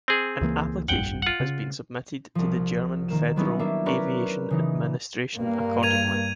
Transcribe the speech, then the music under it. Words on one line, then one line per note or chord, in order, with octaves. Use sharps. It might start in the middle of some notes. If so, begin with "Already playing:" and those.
An application has been submitted to the German Federal Aviation Administration accordingly.
C4 G#4
C#2 E3 A#3
F1 A#1 G2 F#5 G5
F4 F#5
C#3
C2 F3
D#3 A#3 E7
F#3 G3 B3 C#4 D#4 E4
A#3 D4 E5
C#4 A#4 B4 C#5 D5 A#5
C#3 E3 D#4
G2 A#3
G#6 D#7 F7